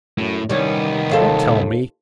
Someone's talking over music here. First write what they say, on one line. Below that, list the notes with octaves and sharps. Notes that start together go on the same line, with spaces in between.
'Don't tell me!
F#2 A2
C2 D#3 G3 B3 C#4
D#2 F4 A4